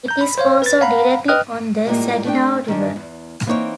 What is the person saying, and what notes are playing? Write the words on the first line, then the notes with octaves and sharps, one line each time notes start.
It is also directly on the Saginaw River.
A#5 G6
B5
C5 C#5 F5
B4 A6
F5 F#5 A#5 B5
B4 D#5 G5 D#6 F6 F#6
A2 G3 G#3 A#3 F4
A3 D4 G5
D#3 C#4 D4
E2
E3 A#3 C4 D#4 C#5